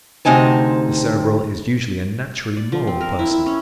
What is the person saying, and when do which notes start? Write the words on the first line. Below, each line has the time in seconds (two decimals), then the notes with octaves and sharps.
The Cerebral is usually a naturally moral person.
0.25 D2 C3 D#4 G#5 A5
2.57 D5
2.72 F3
2.87 C4
3.01 A#4
3.19 E4
3.31 E4
3.46 C#4